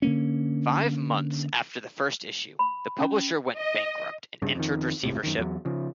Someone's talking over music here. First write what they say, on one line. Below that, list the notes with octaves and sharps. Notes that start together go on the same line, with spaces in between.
Five months after the first issue, the publisher went bankrupt and entered receivership.
D3 A#3 C#4
B5
C#4
D#5
G2 C#3
F2 D#3
G1 C#2 A2 C3
F#2 D#3
E2 F#3
C#3 F3